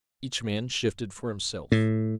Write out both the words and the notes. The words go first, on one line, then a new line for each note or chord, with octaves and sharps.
Each man shifted for himself.
A2